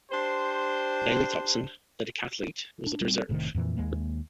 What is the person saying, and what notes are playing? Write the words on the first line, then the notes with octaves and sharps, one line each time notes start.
Daley Thompson, the decathlete, was a reserve.
D4 G4 C5
D4
G3 C4
F1 A2 C3 D#3
F2 A#2 E3
D#2 G#3 A#3